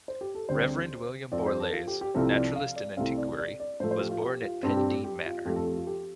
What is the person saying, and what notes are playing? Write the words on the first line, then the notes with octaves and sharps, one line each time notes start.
Reverend William Borlase, naturalist and antiquary, was born at Pendeen Manor.
C5
G4
A4
D2 D3 G3 C4 C5
F2 F3 C4 D5
C5
A4
F4
G4
G4
C2 C3 F3 C4 A4
D5
F5
D5
C2 C3 A3 C4 F5
D5
D5
D5
A2 F3 A3 C5
C5
G4
F4
G4
F4
G2 G3 C4 G4
G4
G4
G4
F4
F2 F3 A3 G4
A4
G4
F4
G4